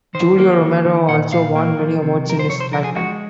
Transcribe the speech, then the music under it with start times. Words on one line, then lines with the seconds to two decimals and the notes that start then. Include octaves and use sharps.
Julio Romero also won many awards in his lifetime.
0.15 D#3 C5
0.38 A#3
0.61 D#3
0.85 D#3
1.08 A#2 F#5
1.32 A#2 F5
1.56 A#3
1.79 F3
2.02 C3
2.26 F3 A#4
2.39 C5
2.49 C3 C#5
2.60 C5
2.72 F3 A#4
2.84 G#4
2.95 G#3 F#4